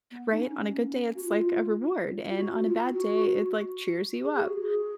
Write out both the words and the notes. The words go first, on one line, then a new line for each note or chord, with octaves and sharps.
Right? On a good day, it's, like, a reward, and on a bad day, it, like, cheers you up.
B3
D#4
C#4
F#4
F4
F4
F#4
F4
F#4
G#4
G#4
F#4
G#4